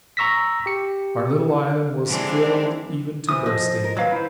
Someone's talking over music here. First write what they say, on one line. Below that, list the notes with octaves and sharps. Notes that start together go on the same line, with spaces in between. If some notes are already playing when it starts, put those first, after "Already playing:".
Our little island was filled even to bursting.
A#5 C#6 E6 A#6 B6
G4 C#7
D3 E3 G#3 C4 D4
C3 E3 D#6
F3 D#5
A#4
D#3 F#3 B4 F5
E4 C5